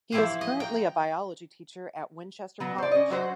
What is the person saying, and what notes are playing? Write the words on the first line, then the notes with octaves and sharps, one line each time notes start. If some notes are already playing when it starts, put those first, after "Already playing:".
He is currently a Biology teacher at Winchester College.
E3 F3 E4 G4 C5
D#5
G5 A#5
F#3 B3
C5 D5
C#4 D#5
F#3 F#4 C5 F#5